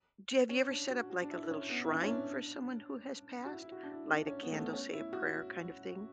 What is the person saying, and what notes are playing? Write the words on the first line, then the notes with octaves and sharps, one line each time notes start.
Do you have you ever set up like a little shrine for someone who has passed, light a candle, say a prayer kind of thing?
C#4
D4
F#4
F#4
D4
E4
C#4
B3
E4
D4
C#4
D4
F#4
E4
E4
F#4
D4
E4
D4
C#4
B3
A3
B3
C#4
E4
F#4